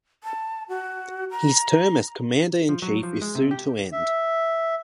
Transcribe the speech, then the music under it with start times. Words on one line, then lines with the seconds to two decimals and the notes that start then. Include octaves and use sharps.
His term as Commander In Chief is soon to end.
0.24 A5
0.69 F#4
1.31 A#5
2.69 F3
2.82 F#3
3.03 F3
3.22 G#3
3.35 C3
3.51 G4
3.92 E5